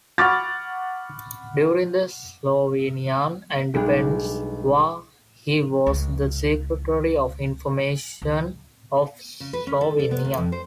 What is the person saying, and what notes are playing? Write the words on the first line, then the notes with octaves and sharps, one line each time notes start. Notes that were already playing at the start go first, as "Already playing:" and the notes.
During the Slovenian Independence War he was the Secretary of Information of Slovenia.
F#5 B5 C#6 D6 F6 A6
B1 G3 G#3 D4
C#2
C#2
C#3
B4
C#4
A4
D5
B3
D2
F2
C5